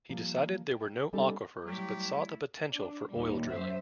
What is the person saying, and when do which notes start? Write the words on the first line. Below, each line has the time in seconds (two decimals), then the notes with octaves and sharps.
He decided there were no aquifers but saw the potential for oil drilling.
0.09 F3 G3 A#3
0.73 G5
1.13 G3 B3 C#4 D#4 G4 A4
1.65 F#3 G3 A3 E4 G4
2.74 D4
3.11 D#2 A#2 G3
3.49 F#2 C5 E5